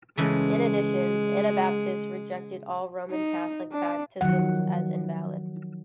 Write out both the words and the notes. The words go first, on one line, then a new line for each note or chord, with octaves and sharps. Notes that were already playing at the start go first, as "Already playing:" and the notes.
In addition, Anabaptists rejected all Roman Catholic baptism as invalid.
C#3 E3 G#3 A3
D#4
D4
D#3 F3 F#3 F#5